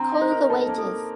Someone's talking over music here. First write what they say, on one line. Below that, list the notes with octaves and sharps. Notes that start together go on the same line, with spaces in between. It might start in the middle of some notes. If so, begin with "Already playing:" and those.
Call the waiters!
Already playing: C4 D4 A#5
D#4
C5
A#4
A4 A5
A#3
A4